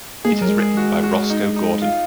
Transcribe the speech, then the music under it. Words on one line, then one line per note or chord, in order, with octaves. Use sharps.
It is written by Rosco Gordon.
A#3 G#4
G#3
F#3 A#4
G#3
G#4
F#4
F#4
D#4
D#4
F4